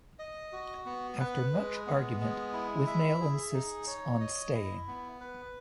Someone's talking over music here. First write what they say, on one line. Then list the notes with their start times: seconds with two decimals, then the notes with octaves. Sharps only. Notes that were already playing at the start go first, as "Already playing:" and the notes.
After much argument, Withnail insists on staying.
0.19 D#5
0.52 F#4
0.86 B3
1.20 B4
1.53 G#3
1.86 B3
2.20 G#3
2.53 E4
2.87 E5
3.20 G#4
3.54 D#4
3.87 C#5
4.20 D#5
4.54 E4
4.88 B3
5.21 B4